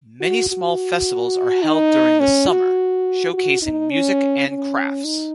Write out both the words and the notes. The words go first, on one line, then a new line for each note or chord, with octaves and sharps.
Many small festivals are held during the summer, showcasing music and crafts.
F#4
F#4
D#4
C#4
F#4
F#4
D#4
C#4
C#4
D#4